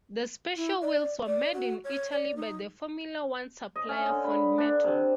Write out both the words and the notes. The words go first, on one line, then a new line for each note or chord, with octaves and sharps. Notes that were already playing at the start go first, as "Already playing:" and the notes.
The special wheels were made in Italy by the Formula One supplier Fondmetal.
E4
D5
D5
F#4
C#5
D5
D#4
D#5
C#4
D3
B5
D4
C3